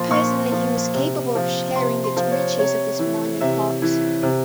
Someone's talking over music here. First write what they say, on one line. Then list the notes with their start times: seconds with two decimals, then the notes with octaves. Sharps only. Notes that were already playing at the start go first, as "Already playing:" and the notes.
Personally he was capable of sharing the riches of his mind and heart.
Already playing: A#2 F3 C6
0.10 A#2 C#6
0.52 F3
0.94 C3
1.35 F3
1.76 C3 C6
2.04 C6
2.17 F3
2.31 C#5
2.59 C3 C#5
2.99 E3
3.41 C3 E5
3.82 E3
4.23 C3